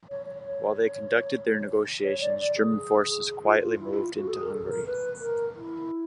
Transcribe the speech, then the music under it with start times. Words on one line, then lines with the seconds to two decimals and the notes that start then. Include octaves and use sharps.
While they conducted their negotiations, German forces quietly moved into Hungary.
0.09 C#5
0.26 C#5
0.45 C#5
2.03 C#5
2.21 D5
2.39 D5
2.56 G#4
3.44 F4
3.62 F4
3.80 E4
3.97 F4
4.16 F#4
4.28 A4
4.33 G#4
4.42 A#4
4.51 A4
4.68 A#4
4.86 B4
5.20 A#4
5.57 E4